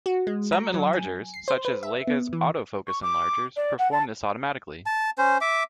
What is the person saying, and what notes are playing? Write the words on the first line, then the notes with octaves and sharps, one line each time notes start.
Some enlargers, such as Leica's "Autofocus" enlargers, perform this automatically.
F#4
G#3
A#5
F#3
G#5
C7
C5
B4
E5
B3
E3
C#6
D6
D5
F#5
A5
A5
C#4 C5
E5 D6